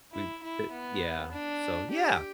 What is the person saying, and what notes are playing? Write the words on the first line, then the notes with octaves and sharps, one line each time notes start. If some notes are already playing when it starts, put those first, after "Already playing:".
We the Yeah, so yeah.
E4
E4
B3
D4
G4